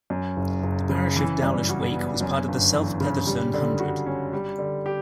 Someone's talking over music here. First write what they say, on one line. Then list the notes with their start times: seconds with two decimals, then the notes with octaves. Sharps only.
The parish of Dowlish Wake was part of the South Petherton Hundred.
0.10 F#2
0.37 F#1
0.63 F#1
0.89 C#3
1.16 E3
1.43 G2
1.69 F#4
1.95 B3
2.21 F#2
2.48 G1
2.73 E3
3.00 C#3
3.26 G3
3.54 D3
3.80 F#4
4.06 C#4
4.33 G3
4.58 D3
4.86 G4